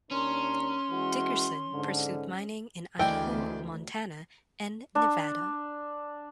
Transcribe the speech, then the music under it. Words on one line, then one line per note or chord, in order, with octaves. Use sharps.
Dickerson pursued mining in Idaho, Montana, and Nevada.
D#2 C#4 D4 A#4 C6
E3 G#3 F#4
G#2 D3
D2 D#3 E3 G#3 D5 G5
D4